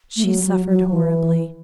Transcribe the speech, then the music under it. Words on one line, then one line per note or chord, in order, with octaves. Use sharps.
She suffered horribly.
A3
F#3
F#3
F#3
E3